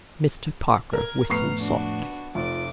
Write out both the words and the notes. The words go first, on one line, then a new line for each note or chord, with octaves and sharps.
Mr. Parker whistled softly.
A#4 G#6
F2 A2 B3 A#5 C#6 F6 C7
D4 F#4
F1 F4 D5 D6 D7